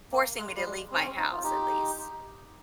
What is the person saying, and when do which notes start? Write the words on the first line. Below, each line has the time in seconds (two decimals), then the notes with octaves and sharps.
forcing me to leave my house, at least,
0.12 A#3
0.38 G#3
0.56 G3
0.65 G#3
0.91 C4
0.97 C#4
1.06 C4
1.17 D#4
1.32 F4
1.44 D#4 G4